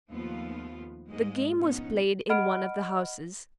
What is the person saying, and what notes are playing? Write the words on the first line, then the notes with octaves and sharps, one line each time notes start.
The game was played in one of the houses.
D#2 F3 A3 B3 F4
G#2 G#3 A#3 D#5
B2 F3 B3 C#4 D#4
D#5 F#5 B5 F6 D7